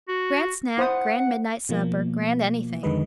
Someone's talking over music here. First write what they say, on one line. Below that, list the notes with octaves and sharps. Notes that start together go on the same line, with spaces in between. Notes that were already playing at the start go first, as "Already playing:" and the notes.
Grand snack, grand midnight supper, grand anything.
F#4
E4 C5 F#5 D#6
B2 F3 A#3
F2 D3 D#3 G#3 B4 D#5